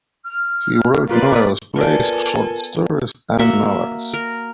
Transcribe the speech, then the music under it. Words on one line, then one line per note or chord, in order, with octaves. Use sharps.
He wrote numerous plays, short stories, and novels.
F6
A#3 F4 B4 D5
B3 F4 A4 A#4 D5 G#5 A5
A#3 F#4 E5
A#4